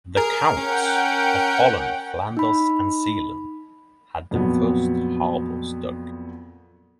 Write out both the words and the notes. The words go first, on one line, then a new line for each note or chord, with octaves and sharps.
The Counts of Holland, Flanders, and Zeeland had the first harbours dug.
G#4 A#4
C#4 F#5 G5
D#4 B5
F2 A#2 F#3 B3